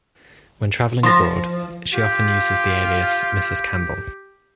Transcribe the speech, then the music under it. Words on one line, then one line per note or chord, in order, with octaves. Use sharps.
When travelling abroad, she often used the alias "Mrs Campbell".
F3 C6 A#6
F4 G4